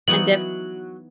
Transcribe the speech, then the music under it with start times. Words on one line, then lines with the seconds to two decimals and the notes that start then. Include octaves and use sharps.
and def
0.08 E3 F#3 B3 D#4 F#7